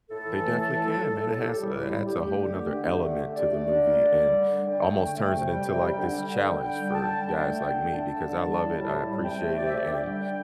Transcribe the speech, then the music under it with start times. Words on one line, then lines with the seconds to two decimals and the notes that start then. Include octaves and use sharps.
They definitely can, man, it has a adds a whole 'nother element to the movie and almost turns it into, like, this challenge for guys like me because I love it, I appreciate it, and
0.10 A2 A4
0.26 E3
0.43 A3
0.60 A2
0.76 A2
0.92 G3
1.08 A2
1.24 G3 A4
1.40 A2 G4
1.57 G3
1.74 A2 E4
1.90 G3
2.05 D3 G4
2.22 A3
2.39 D3
2.55 A3
2.71 D3
2.87 A3
3.04 D3
3.20 A3
3.36 D3 D5
3.53 A3
3.69 D3
3.85 A3
4.02 D3
4.18 G3
4.34 D3
4.50 G3
4.67 D3 G5
4.83 A3
4.99 D3
5.16 A3
5.32 C3
5.48 G3
5.64 C3
5.80 G3
5.97 D3
6.13 G3
6.29 D3
6.46 G3
6.62 D3 G5
6.78 G3
6.95 D3 A5
7.11 G3
7.28 D3 G5
7.44 A3
7.60 D3
7.76 A3
7.92 D3 A5
8.09 G3
8.25 D3
8.42 G3
8.57 A2
8.74 G3
8.91 A2
9.07 G3
9.23 C3 G5
9.40 A3
9.56 C3 D5
9.66 E5
9.71 A3 D5
9.88 D3 G5
10.04 G3
10.21 D3